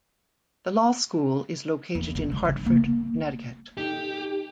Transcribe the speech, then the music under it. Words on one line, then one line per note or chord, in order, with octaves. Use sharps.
The law school is located in Hartford, Connecticut.
E2
D3 F3
G#3
G2 C#3
A#3
A#3 D#4 G4 A4